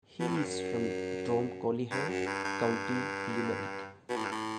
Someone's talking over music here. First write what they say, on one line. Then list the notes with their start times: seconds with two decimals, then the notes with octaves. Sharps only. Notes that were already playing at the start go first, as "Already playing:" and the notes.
He is from Dromcolliher, County Limerick.
0.20 B2
0.28 A2
0.36 G2
0.45 F#2
1.91 G2
2.09 F#2
2.27 G2
2.45 G2
4.09 B2
4.16 A2
4.25 G2
4.32 A2